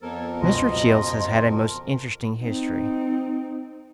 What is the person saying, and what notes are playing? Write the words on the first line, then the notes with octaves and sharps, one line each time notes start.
Mr. Childs has had a most interesting history.
F2 F3 B3 A4 A#4 C#5
C#2 F#2 B2 D#5 C6
C4 D#4